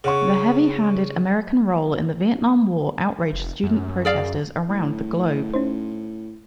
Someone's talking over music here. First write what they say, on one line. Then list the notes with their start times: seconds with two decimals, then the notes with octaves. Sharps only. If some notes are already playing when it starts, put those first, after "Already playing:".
The heavy-handed American role in the Vietnam War outraged student protestors around the globe.
0.04 C#3 C#5 F#5 C#6
3.33 F1
3.63 F#2
4.05 G#4 D5 F5
4.69 A2
5.54 C#4 D#4 C5